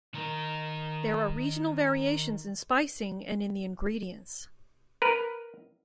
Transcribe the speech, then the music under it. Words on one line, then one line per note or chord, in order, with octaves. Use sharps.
There are regional variations in spicing and in the ingredients.
D#3 A#4
A#4 B4